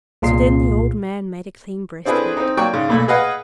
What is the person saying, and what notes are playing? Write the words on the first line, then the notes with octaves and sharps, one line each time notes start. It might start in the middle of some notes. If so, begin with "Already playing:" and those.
So then the old man made a clean breast of it.
C2 A#2 F4 G#4 C7
C4 D4 E4 G#4 A4 B4
C4 D#4
F#3 A#3 D5 G5 C#6
G#2 C#3
B1 A#2 A3 B5
G#4 B4 D#5 F5 F#5